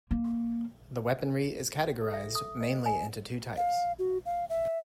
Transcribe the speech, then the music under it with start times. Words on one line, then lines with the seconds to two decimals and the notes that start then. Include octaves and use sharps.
The weaponry is categorized mainly into two types.
0.11 A#3
2.02 A4
2.13 E5
2.35 D#6
2.61 D#5
2.86 G#5
3.57 F5
3.99 F#4
4.25 F5
4.49 E5